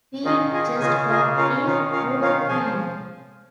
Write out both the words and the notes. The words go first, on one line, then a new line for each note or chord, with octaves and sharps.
We'd just walk in, wouldn't we?
D#3 F4 G#4 D#5 G#5
F4 G#4 D#5 G#5
C#3 F4 G#4 D#5 G#5
F4 G#4 D#5 G#5
C#4 F4 A#4 C#5 F5
D#3 C#4 F4 A#4 C#5 F5
C#4 F4 A#4 C#5 F5
C#4 F4 A#4 C#5 F5
F3 C#4 G#4 C5 F5 G#5